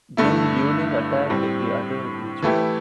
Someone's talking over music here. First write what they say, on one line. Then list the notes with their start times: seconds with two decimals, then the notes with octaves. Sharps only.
Then Beurling attacked the other Reggiane.
0.17 G2 D3 A3 E4
1.30 A2 G3 C4
2.42 E3 A3 E4 G4